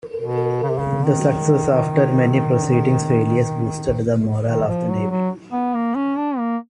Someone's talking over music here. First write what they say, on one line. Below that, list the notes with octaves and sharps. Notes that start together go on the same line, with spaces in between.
The success, after many preceding failures, boosted the morale of the navy.
B2
C#3
C3
C#3
D#3
D#3
F3
F#3
F#3
B3
A#3
C#4
D4
A#3